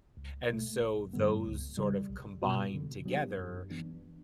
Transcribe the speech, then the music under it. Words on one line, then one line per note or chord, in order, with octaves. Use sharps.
and so, those sort of combined together
C#2
B2 A3
G1
G2 D3 G3 B3
C#2
C#3 G3
B1
B2 G3 B3 F#4
D3
F#3 B3 D4 G4
F#2
E3 B3 D4